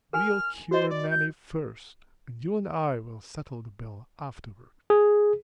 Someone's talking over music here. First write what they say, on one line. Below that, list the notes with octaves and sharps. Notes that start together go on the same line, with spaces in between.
We'll cure Nanny first; and you and I will settle the bill afterward.'
A#4 G#5 F6
F#4 C5 D#5
D5
G6
G#4